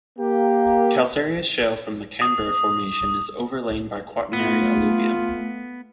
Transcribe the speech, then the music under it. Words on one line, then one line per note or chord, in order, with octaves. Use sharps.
Calcareous shale from the Canberra Formation is overlain by Quaternary alluvium.
A#3 G4
D#6
A3 B3 F4